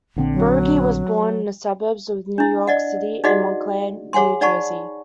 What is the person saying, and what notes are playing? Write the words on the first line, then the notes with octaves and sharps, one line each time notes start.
Burgi was born in the suburbs of New York City in Montclair, New Jersey.
A#1 D3 C4
F#3
D4 E4
D5 D#5 F#5
D#4 F#4 G#4 D5 D#5 F#5
G#4 C#5 F#5 G#5 C6
D#4 D5 F#5 A5 B5 C#6